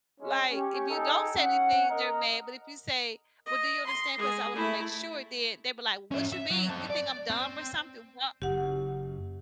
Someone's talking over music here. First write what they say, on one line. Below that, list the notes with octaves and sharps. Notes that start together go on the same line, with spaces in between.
Like, if you don't say anything, they're mad, but if you say, "Well, do you understand, 'cause I wanna make sure," then, they be like, "What's your beef? You think I'm dumb or something?" "What
G#3 C#4
C#4 G4
D#4 A4 D#5 G5 G#5
C#4 F#5
A#4 D#5
D#5
C6
G#3 G#4
A3 E4
C#4 E5
E5
F#3
C4 A5
D5
C4
F#1 F#2 G4 F#5